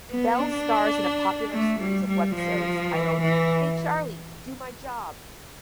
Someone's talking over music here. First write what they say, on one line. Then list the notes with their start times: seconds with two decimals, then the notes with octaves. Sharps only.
Bell stars in a popular series of webisodes titled Hey Charlie, Do My Job!
0.10 B3
0.39 D4
1.51 A3
1.79 G3
2.08 G3
2.35 F3
2.93 E3
3.21 E3